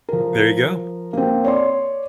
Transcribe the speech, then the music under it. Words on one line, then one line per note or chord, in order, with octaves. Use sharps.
There you go,
F3 A#4
A#3 C4
C#5 D5 C6